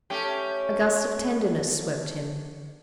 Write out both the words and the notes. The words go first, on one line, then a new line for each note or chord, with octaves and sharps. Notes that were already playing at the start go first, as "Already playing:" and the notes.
A gust of tenderness swept him.
A3 C#4 G4